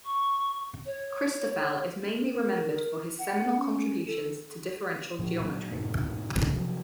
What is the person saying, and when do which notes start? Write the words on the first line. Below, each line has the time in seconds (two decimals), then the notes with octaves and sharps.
Christoffel is mainly remembered for his seminal contributions to differential geometry.
0.05 C#6
0.86 C#5
2.34 A#4
3.19 F#5
3.57 C#4
4.06 A4
5.19 A#2 F3
5.40 A#2 F#3 A#3
5.72 F#2 A2 C3 D#3
6.51 C3 F3 F#3